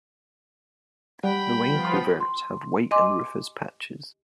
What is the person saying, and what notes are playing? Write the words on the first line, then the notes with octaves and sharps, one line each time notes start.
The wing coverts have white and rufous patches.
G3 F#5 G5 B5
F3 B3 F4
C6
D#5 G#5 C6 D6